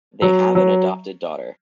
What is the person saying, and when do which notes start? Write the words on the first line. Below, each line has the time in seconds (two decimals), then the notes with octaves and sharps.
They have an adopted daughter.
0.22 F#3
0.55 F#3